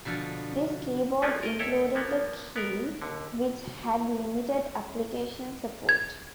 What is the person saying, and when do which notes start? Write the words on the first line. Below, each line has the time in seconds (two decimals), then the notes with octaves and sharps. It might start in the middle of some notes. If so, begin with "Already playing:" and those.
This keyboard included a key which had limited application support.
0.05 B2 D3 F3 A4
1.22 F3 A3 A#3 C#4 D4 F4
1.43 A#4 D#5
1.59 D#2 E4 A4 C#5 G5
1.95 F3 A#3 B3
2.56 B3 A#4
3.02 D#2 D3
5.89 G#6